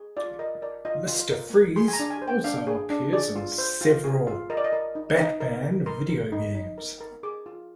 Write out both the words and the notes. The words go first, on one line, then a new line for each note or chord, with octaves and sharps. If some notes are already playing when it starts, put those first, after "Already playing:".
Mister Freeze also appears in several "Batman" video games.
Already playing: G#4
F4 D5
A#4 D#5
A#4 D5
F4 D#5
F4 C6
A#4
A#4
G#4 C6
G#5
A#5
D4
G#5
C5
G5
D4 F5
G#4
D4
G#4 D5
F4
C5
F4
G#4
F4
A#4 D#5
D5
D#5
A#4
D#4
D#4
A#4
A#4
A#4 C6
A#4
D#4
D#4
A#4
A#4
G#4 D6
F4